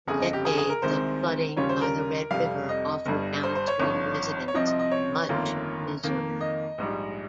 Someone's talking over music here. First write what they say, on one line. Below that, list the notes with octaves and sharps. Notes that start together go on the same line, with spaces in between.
Decades of flooding by the Red River offered downstream residents much misery.
G1 F2 C#3 G#4
D#5
G4
G#4
G#4
A#4
C2 C3 D#3 G#3 C5
D#2 C#3 G3 C#4 F4 C#5
C5
A#4
F1 F2 C3 G3 F5
D#5
G1 G2 G3
C5
C5
C#5
G#1 G2 F3 C#5
C#5
C2 C3 F3 C4 D#5
D#5
D#5
C#5
G1 F2 D#3 A#3 F4
F2 D#3 A#3
D#5
A#1 G#2 G3